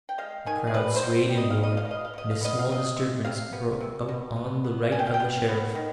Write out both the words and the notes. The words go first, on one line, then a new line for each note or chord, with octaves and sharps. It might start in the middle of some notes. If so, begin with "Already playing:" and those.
The crowd swayed and roared, and a small disturbance broke out on the right of the Sheriff.
G5
G#3 F5
D#3 G#5
G#4
G3 B4
C5
B2
G3
D#5
F5
B2
D#5
F5
B2
D#5
F5
B2 D#5
F5
B3 D#5
F5
C3 D#5
C3
C3 F5
B3
C3
B2
B3
B3
B2 G#5
G5
F5
G5
B3
B3
D#3